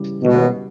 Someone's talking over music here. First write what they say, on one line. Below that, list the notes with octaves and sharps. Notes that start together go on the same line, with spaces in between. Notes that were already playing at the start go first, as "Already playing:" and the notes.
you know,
Already playing: C#3 E3 G3
B2